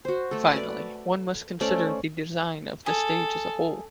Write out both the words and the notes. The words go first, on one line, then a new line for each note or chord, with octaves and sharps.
Finally, one must consider the design of the stage as a whole.
F#4 C5
A3 A4
B4 D5
A3 C#4 C5 D5
G#4 A4